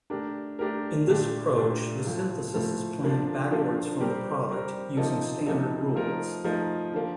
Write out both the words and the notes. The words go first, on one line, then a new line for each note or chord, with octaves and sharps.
In this approach, the synthesis is planned backwards from the product, using standard rules.
A3 D4 G4 A#4
A3 D4 G4 A#4
A#2 A3 D4 G4
A#2 A3 D4 G4
A2 F3 A3
A2 F3 A3
D3 F3 A#3 D4
D3 F3 A#3 D4
G3 C4 G4 A#4
G3 C4 G4 A#4
C3 F3 A#3 D#4 A4
C3 F3 A#3 D#4 A4
F3 A3 D#4 A#4
F3 A3 D#4 A#4
D3 F3 A#3